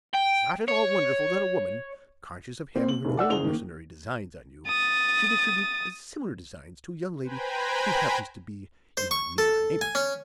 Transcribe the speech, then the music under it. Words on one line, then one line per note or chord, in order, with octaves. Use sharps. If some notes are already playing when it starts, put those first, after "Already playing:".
It's not at all wonderful that a woman, conscious of having her own mercenary designs on you, should attribute similar designs to a young lady who happens to be your near neighbor.
G5
C#5
A#3 C4
F#7
E1 B1
D5 F#5 E6
F#1 G#4 F7 G7
D#3 A#3
D#6 A6
B4 C5 G5 G#5 A#5 B5
C5
C#6
A4
G#5
C#4